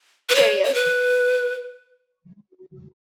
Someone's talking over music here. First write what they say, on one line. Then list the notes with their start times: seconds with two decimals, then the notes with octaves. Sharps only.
Nowadays the creation of town and parish councils is encouraged in unparished areas.
0.29 B4
0.35 C#5
0.64 C#5
0.74 B4